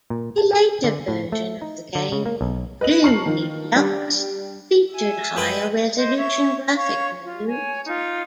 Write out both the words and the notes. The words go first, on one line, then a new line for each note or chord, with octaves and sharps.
A later version of the game, "Gloom Deluxe", featured higher resolution graphic modes.
A#2
A5
A4
D3
A2
A3
D#4
D3
C#3
A#3
B1
B4 D#5 F#7
A5 A#5 C#6 F6 C7 F#7
D#3 F3
G3 D4
E5 G#5
G#3 B4 G5
C5 D#5
C#5 E5 C#6
C#5 F5 C#6
F4
C#5 G#5
D#4 F4